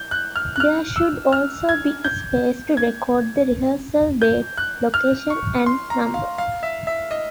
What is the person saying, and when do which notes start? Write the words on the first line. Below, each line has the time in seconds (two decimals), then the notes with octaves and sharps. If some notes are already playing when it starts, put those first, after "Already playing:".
There should also be a space to record the rehearsal date, location, and number.
Already playing: G6
0.11 F#6
0.36 F6
0.56 F#6
0.60 F6
0.96 E6
1.33 F6
1.69 G#6
2.05 G6
2.77 G#6
4.22 G6
4.58 F#6
4.94 F6
5.30 C#6
5.66 C6
5.90 A#5
6.14 F5
6.38 F5
6.63 E5
6.87 E5
7.11 D#5